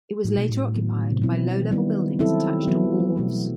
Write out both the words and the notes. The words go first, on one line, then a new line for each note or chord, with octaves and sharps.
It was later occupied by low level buildings attached to wharves.
A2 G3 D#4 F#4 A4
B2
A2
D#3 F#3 B3 E4
C3
B2 F#3 C4 E4
E3
D#3 G3 B3 E4
F#3 C4 E4 A4
G3
E3 F#3 B3 F#4 A4
G3
F#3
B2 F#3 A3 E4 G4
F#3